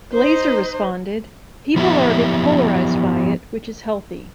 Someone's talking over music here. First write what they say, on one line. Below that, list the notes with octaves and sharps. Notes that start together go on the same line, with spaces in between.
Glazer responded, "People are a bit polarised by it, which is healthy".
D#4 C5
F3 B3 E4 G4 E5